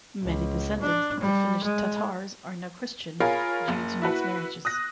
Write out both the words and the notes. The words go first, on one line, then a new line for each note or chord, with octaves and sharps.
Many descendants of the Finnish Tatars are now Christian due to mixed marriages.
C#2
D4
G3
G#3
F4 G#4 A#4 C#5 F5 B5
F#1
E4 F#4 B4 F#5
D#6 F#6 A#6